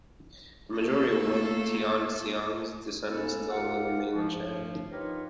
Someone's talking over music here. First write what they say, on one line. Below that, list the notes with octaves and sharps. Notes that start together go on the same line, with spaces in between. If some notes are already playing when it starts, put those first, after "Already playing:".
The majority of Wen Tianxiang's descendants still live in mainland China.
A3 A#3 A4
G#3 A#3 B3 C#4 A4
F4 G4 A#4 F5 F#5
G2 F3
D#4 F4 G4 A#4 B4 C#5